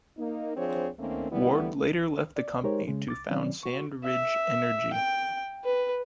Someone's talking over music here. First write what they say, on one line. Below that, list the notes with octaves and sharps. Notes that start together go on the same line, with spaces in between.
Ward later left the company to found SandRidge Energy.
A#3 D#4
F3 C4 D4 G#4 C#5
D#3 A3 A#3 C4 C#4
D3 G3 A3 B3 E4
D5
G#3 D#4 G4 A#4 C5 C#5
C#3 G#3 C#4
C2 D6 A6
D#3 F#3 C4 C#4 D5
F#4 C#6
E5
G5
B4